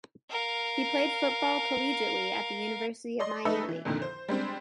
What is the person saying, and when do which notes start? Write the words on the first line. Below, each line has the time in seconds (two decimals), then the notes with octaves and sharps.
He played football collegiately at the University of Miami.
0.30 A#4 F5
3.20 D5 D#5 C6
3.45 A3 D#4 A4 B4 D#5 E5
3.69 E3
3.85 C2 F2 A#2 D3 D#3
4.02 C5
4.28 G3 G#3 C4 D4